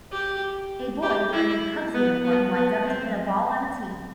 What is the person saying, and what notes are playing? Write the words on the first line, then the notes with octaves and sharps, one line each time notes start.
A boy wearing a cubs uniform winds up to hit a ball on a tee.
G4
G4
E4
B3
B3
B3
C4